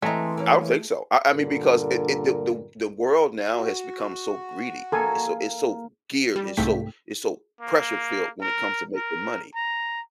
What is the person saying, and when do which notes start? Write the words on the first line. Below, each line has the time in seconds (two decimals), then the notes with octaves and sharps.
I don't think so, I I mean, because it it the the the world now has become so greedy. It's so it's so geared, it's so it's so pressure-filled when it comes to making money,
0.02 E3 G#3 A3 C4 D#5 A#5
0.38 A#3 C#4
1.34 G2 A#2 D3 A#4
3.55 F#4
4.92 A#3 A4 G#5
6.36 G3
6.57 C2 G#2 A3 G5 B6
7.61 A#3
8.41 A#4
8.96 A#4
9.55 A#5